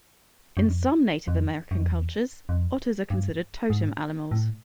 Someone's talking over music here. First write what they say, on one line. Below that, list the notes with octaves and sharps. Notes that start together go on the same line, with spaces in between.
In some Native American cultures, otters are considered totem animals.
F#2
F2
F2
F#2
F2
E2
F2
G2
G#2
A2